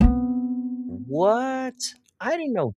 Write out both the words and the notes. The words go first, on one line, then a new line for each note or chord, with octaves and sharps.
What! I didn't know
B3 C4